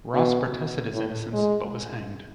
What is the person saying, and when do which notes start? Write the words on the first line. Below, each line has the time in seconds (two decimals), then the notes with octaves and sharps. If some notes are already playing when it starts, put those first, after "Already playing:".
Ross protested his innocence but was hanged.
0.14 B2
0.93 A2
1.33 G#3